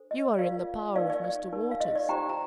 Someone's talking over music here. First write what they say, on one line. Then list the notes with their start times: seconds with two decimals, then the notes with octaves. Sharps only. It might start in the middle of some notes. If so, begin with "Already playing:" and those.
"You are in the power of Mr. Waters."
Already playing: D4 A4 C5
0.11 D#5
0.39 F4 A#4 D5 F5
0.96 D#4 A#4 D5 F5
1.10 D5
1.24 D5
1.53 D#4 A#4
1.71 F5
1.80 D#5
1.96 D5
2.09 D#4 G4 C5 G5 A#5
2.29 A#5